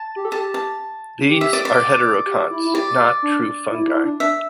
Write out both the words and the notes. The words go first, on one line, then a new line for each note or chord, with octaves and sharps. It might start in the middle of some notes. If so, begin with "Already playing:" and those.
These are heterokonts, not true fungi.
Already playing: A5
G4
A4
G4 A5
A5
G4
E5
D5
D5
G4
E4
E4
G4 D5
D4
E4
E4
D4
D4 E5